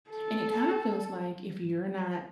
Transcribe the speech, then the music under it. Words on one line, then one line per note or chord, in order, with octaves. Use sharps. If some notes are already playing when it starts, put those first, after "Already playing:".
and it kinda feels like if you're not
A4